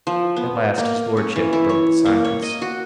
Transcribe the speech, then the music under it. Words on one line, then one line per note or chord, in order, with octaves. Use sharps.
At last his lordship broke the silence.
F3
B3
A#3
C#4
E3
E4
C#5
A#3
C#5
D#5
F#4